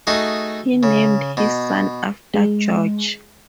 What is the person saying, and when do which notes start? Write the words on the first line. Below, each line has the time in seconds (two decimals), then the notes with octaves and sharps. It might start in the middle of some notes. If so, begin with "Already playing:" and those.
He named his son after George.
0.07 A3 D#4 F#4 G#4
0.83 C#3
1.37 B2
2.34 G#3